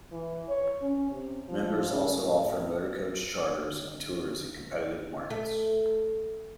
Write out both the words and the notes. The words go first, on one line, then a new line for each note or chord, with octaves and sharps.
Members also offer motorcoach charters and tours in competitive markets.
E3
C#5
C#4
C3
F3
C#3
A2
A3